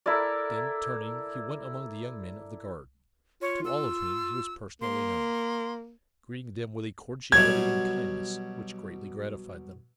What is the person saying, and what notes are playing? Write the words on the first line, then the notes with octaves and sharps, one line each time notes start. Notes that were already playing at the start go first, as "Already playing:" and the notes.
Then turning, he went among the young men of the guard, to all of whom he was personally known, greeting them with a cordiality and kindness which greatly gratified them.
E4 A4 A#4 D5
F4 C#5
E6
A#3 C6
B2 F#3 G3 G#6